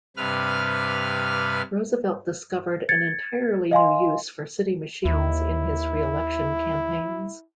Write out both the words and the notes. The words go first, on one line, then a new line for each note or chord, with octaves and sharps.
Roosevelt discovered an entirely new use for city machines in his reelection campaigns.
G2 C3 B4 F6
G#6 A6 C#7
D#5 F5 G#5 C6
D#2 E4